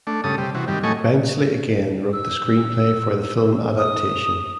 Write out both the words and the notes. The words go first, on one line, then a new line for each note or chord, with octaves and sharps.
Benchley again wrote the screenplay for the film adaptation.
A3 D4
G2 C#3 A4 D#6
C3 G3
C3 E3 F#4
G2 D#3 G3
A2 F#3 A3 D#5 G#5 C#6
E6
D#6